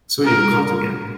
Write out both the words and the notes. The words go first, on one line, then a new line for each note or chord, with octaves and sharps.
So you are caught again!
A#4